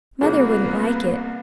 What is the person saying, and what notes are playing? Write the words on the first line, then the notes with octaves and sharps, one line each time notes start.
"Mother wouldn't like it."
C2 A#3 B3 F4 G#4 B4 C#5